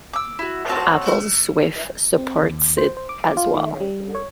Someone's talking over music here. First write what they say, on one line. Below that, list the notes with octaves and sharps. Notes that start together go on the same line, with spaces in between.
Apple's Swift supports it as well.
D6 E6
E4 F#4
C4 F#4 C#5 A5
C4
D#2
C5
C5
D6
F4
D#3
G3
C#5